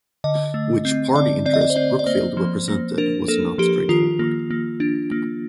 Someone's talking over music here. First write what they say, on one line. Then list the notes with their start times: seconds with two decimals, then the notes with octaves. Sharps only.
Which party interest Brookfield represented was not straightforward.
0.24 D3 D#5
0.54 A3
0.85 C4
1.15 D3 D5
1.45 C4 D5
1.54 D#5
1.61 D5
1.70 C5
1.76 C4 D5
1.99 D5
2.06 A#3 C5
2.37 F3
2.68 A#3
2.98 D4 A#4
3.28 A#3 A4
3.58 F3 G4
3.89 D#3 F4
4.19 A#3
4.50 A#3
4.80 D4
5.11 A#3